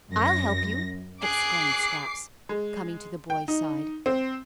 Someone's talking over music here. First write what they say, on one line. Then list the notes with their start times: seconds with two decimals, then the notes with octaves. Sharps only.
"I'll help you," exclaimed Scraps, coming to the boy's side.
0.11 F#2 A#6
1.22 G#4 D6 F#6 C7
2.49 G#3
3.30 G5
3.48 D#4
4.06 C4